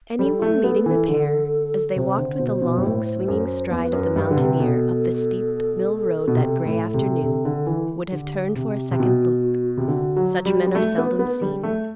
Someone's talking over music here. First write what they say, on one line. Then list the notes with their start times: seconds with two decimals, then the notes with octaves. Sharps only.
Anyone meeting the pair, as they walked with the long swinging stride of the mountaineer up the steep mill road that gray afternoon, would have turned for a second look; such men are seldom seen.
0.19 G3 A4
0.42 A3
0.64 B3
0.86 E3
1.08 D3
1.95 C3 C5
2.18 D3
2.39 B2
2.62 B2
2.77 G2
2.83 A2
3.28 F#2
3.71 E2 B4
3.93 F#2
4.16 G2
4.31 D3
4.37 C3
4.60 B2 A4 B4
6.28 B2
6.35 C3
6.65 A2
6.94 C3
7.24 C3
7.45 D3
7.67 E3
8.11 D3 G4
8.56 C3
8.91 C3
8.99 B2 F#4
9.77 C3
9.87 D3 F#4
10.16 F#3
10.46 G3
10.66 G3
10.75 A3
10.98 B3
11.19 B3
11.42 G3
11.63 A3